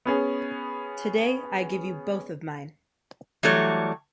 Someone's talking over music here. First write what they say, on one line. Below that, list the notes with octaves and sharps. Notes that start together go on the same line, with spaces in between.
Today, I give you both of mine.
B3 C#4 G#4
E3 F#3 G3 A3 C#5